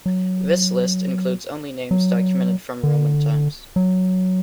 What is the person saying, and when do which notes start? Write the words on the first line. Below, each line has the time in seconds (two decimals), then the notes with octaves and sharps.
This list includes only names documented from Roman times.
0.06 F#3
1.91 F#3
2.83 D3
3.76 F#3